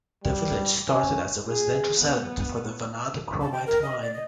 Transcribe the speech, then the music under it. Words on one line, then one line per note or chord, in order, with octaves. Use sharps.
The village started as a residential settlement for the Vanad chromite mine.
G3
C#4
G#4
B3
A5
G5
A#4
D#5
D5
D#5